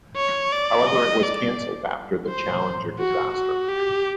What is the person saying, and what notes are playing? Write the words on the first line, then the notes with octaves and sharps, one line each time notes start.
However, it was cancelled after the "Challenger" disaster.
C#5
D5
D#5
D5
C5
F#4
F#4
G4